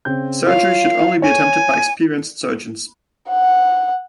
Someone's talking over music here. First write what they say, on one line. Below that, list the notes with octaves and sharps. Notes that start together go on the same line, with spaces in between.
Surgery should only be attempted by experienced surgeons.
C#3 C4 G6
F4 C#5 F5
C#5 G#5
F#5